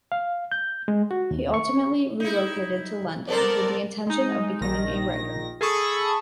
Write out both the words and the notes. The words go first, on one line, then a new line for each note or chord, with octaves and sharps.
He ultimately relocated to London with the intention of becoming a writer.
F5
G6
G#3
F#4
D#2
C#6
D#4 E4
B3 A4 A#4 C5 D5
G#3 D#4
A#1 D#3 A#6
G#4 A4 A5 B5 C#6 D#6